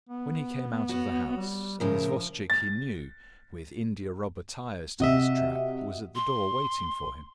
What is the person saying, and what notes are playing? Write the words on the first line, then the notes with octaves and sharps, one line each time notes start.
When he came out of the house, an isvostchik he knew, with india-rubber tires to his trap, was at the door waiting for him.
B3
F#4 C#5
G3
A2 C#3 F3 A#4
A6
C3 F#4 D#5 E5
C6